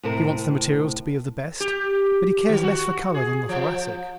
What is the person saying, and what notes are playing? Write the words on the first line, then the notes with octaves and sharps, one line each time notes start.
He wants the materials to be of the best but he cares less for color than the Thoracic.
A2 C3 A#4
G4
D#3
F#4
G#4
F3